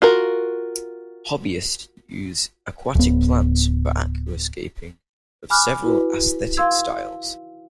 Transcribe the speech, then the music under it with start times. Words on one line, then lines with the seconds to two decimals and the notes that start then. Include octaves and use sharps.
Hobbyists use aquatic plants for aquascaping, of several aesthetic styles.
0.02 F4 F#4 A#4
2.95 D1 B3
5.50 G#5 B5 D6 F6 F#6
5.83 E4 F#4 B4
6.57 F5 C6 E6 G#6